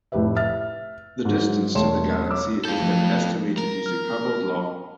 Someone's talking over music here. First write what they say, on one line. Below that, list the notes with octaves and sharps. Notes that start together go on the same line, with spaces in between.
The distance to the galaxy is then estimated using Hubble's Law.
F1 A2 G4 B4 E5
E5 F6 A6
G#2 F#3
E1 A3 C#5 G5 C6 E7
C#5 D6 E6
F4 A4 G6
F3 A3
A#4
F6